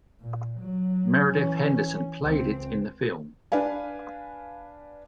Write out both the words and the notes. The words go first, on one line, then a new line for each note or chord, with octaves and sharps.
Meredith Henderson played it in the film.
A#2
F#3
E3 C#4
C#2 C4
D4 B4 F5 G#5